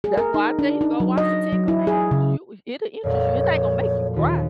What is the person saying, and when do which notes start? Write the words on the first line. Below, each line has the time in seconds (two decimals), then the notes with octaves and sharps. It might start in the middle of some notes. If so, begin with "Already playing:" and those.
That's why I tell you to go watch The Ten Commandments, you it'll interest you, it ain't gonna make you cry,
0.04 G#4
0.17 A#4
0.34 D#4
0.59 D4
0.81 D#4
1.00 F#3
1.18 D#5
1.52 F#3
1.68 E4
1.87 G#4
2.11 C#3
3.04 F2 A#2 F#3 C#5
4.16 D#2 F4